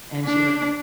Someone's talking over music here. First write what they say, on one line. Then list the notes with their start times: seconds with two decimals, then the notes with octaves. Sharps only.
and she's like
0.25 D4